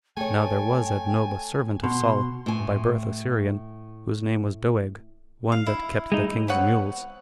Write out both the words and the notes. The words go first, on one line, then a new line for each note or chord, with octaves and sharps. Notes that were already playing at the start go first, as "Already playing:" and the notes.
Now there was at Nob a servant of Saul, by birth a Syrian, whose name was Doeg, one that kept the king's mules.
A3 C#5 G5 G#5
B2 C6
A2 G#5
F5
E4
G#3 D#4
C3 B3 C#5 F#5